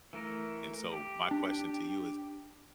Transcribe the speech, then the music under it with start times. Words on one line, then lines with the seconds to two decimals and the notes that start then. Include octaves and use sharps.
And so, my question to you is,
0.13 E3 A3 A#4
0.92 G4
1.31 D4